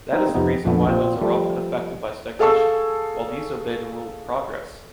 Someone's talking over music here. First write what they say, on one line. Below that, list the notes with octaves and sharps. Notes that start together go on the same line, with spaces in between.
That is the reason why those are often affected by stagnation, while these obey the rule of progress.
C4 D#4 A#4
F2 C3 B3 D#4
A#1 F2 D3 A3 B3
A#2 C4 F4
F3 G3 A3
G#4 A4 F5 A5 C#6 E6